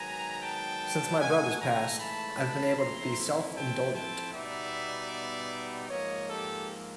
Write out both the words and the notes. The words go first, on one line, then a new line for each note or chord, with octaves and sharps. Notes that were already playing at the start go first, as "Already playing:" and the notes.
Since my brothers passed, I've been able to be self-indulgent.
Already playing: G#2 D#3 F#3 B3 G#5 A#5
G5 A5
G#2 E3 A3 F#5 G#5
G#5 A#5
A5 B5
F3 A3 C4 E4 A#5 C6
G5 A5
G5 A5
B2 G3 B3 D#4 D5 E5
G#2 F3 A#3 C#5 D#5
G4 A4